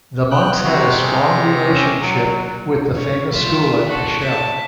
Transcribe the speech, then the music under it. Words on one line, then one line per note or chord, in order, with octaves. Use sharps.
The monks had a strong relationship with the famous school at Cashel.
B3 G5 F#6
C3 F#4 A#5
G#4
C#4
F#3
C#5
F4 E5
F#4 A4
E5 A5